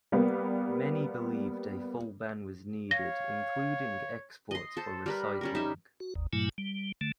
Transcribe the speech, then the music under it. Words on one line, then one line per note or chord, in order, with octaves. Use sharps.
Many believed a full ban was needed including exports for recycling.
G3 A#3 B3
C#5 F5 A#6
D#5 C6
A4 C5
G3 A#4 B4
G3 C#4 A#4
D#4 E5
F#4
G1 D#2
G2 A#2 F#3 A3 E4 G#5
G3
D3 A3